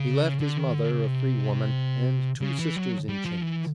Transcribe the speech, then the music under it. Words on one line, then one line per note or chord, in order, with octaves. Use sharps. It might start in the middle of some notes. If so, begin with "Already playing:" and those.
He left his mother, a free woman, and two sisters in chains.
Already playing: C#3
D3
D#3
D3
C#3
C3
C#3
E3
F#3
G3
F3
E3